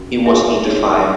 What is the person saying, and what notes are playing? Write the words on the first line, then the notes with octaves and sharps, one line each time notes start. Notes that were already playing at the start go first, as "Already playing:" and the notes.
He was eighty-five.
Already playing: C#4 F#4 A#4
D#4 G#4 C#5 E5
D#4 G#4 C#5